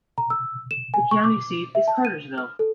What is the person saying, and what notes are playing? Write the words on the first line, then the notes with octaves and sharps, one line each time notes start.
The county seat is Cartersville.
A#5
E6
E7
G#5
C#6
D6
E5
A5
D#7
F6
A4